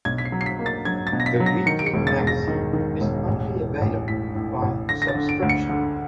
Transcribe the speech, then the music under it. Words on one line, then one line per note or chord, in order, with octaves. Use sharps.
The weekly magazine is only available by subscription.
B1 G#6
B6
C7
F#3
C7
B6
A#3
A6
F#3 G#6
A6
B2
A#6
B6
F#3
A#6
D#3 C#7
D7
C#7
E1
A6
E1
A#6
D#3
D#3
E1
A1
E3
A1
A2 B6
A2
A1
D3 A#6
A#6
A6
D3
D7
D2
C#7
D3